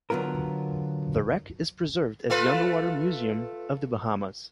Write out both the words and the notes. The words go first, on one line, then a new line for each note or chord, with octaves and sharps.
The wreck is preserved as the Underwater Museum of the Bahamas.
D3 F#3 B3 F4 A#4
A3 F4 B4